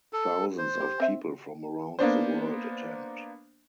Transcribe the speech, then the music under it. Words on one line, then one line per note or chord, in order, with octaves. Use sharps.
Thousands of people from around the world attend.
A4
C5
G4
C4 E5
A#3 B3 D4 C5